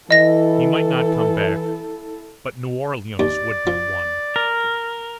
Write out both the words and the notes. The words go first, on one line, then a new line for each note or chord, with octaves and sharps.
He might not come back; but New Orleans would be won.
E3 E4 A4 D#5 A#6
D#2 D5
F3
A#4